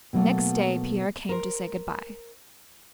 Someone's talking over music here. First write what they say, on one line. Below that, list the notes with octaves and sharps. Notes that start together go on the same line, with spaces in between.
Next day Pierre came to say good-by.
B2 F#3 A3 A#3
A#4 C5